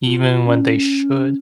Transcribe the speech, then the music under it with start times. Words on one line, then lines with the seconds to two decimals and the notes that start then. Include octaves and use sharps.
even when they should.
0.05 F4
0.45 C#4